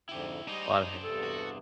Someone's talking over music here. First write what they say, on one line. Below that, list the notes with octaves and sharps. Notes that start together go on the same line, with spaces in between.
a lotta hair.
F2 G#2 D3 E4 G4
G3 D4 D#4 G#4 C5
E2 G2 C3 A4
F#4